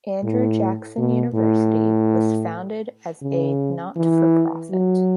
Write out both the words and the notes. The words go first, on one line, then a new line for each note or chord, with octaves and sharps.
Andrew Jackson University was founded as a not for profit.
A2
B2
A2
C#3
E3
F#3